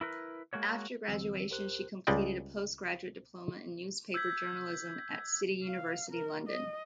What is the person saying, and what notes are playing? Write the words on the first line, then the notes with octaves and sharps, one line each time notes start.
After graduation she completed a Postgraduate Diploma in Newspaper Journalism at City University, London.
E4 A#4 B4
G#3 A#3 F#4 C#5
D#2 D3 E3 F#3 C4 E6
D2 G4 A#4 C5 F#6
C#2 G3 G#3 D5 D#5 G5
E6 G6 G#6 B6
F5
A#4
D#5